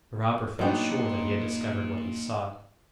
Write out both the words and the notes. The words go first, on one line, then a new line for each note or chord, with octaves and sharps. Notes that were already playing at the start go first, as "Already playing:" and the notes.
The robber felt sure that he had discovered what he sought.
A#2 F#3 B3 D4 D#4 G5